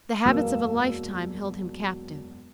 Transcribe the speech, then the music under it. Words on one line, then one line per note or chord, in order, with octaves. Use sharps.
The habits of a lifetime held him captive.
E1 F#2 A#3 B3 E6